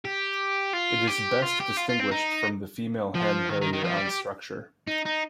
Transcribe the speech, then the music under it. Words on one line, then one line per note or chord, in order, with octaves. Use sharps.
It is best distinguished from the female hen harrier on structure.
G4
F4
G4
F4
G4
F4
F4
C4
D#4
F3
D#3
D#3
D#3
F3
G3
G4
D#4
D#4